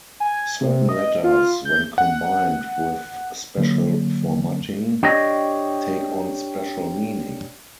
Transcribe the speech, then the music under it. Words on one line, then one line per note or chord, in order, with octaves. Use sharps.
Certain letters, when combined with special formatting, take on special meaning.
G#5
C3
D#5
F4
G6
F#5
D3 F#3 A#3
D4 G4 C#5 D#5